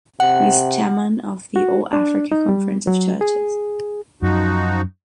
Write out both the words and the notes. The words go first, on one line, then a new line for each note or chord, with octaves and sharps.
He is Chairman of the All Africa Conference of Churches.
C3 F#5
F#4
D4
D#4
G3
F#3
G#4
F#2 F3 D#4 F#4